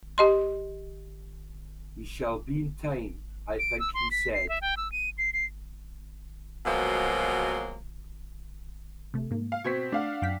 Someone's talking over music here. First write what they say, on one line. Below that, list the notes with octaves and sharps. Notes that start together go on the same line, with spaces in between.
"We shall be in time, I think," he said.
G4 D#5 C6
D7
E6
C6
B6
C7
E5
G5
E6
D#7
C7
C7
B2 F3 F#3 G#3 A#3
C3 A3
G#2 A#3
F5
B2 C4 C#6 G#6 B6
A3 D4 F5 F#5
F#2 G5 B6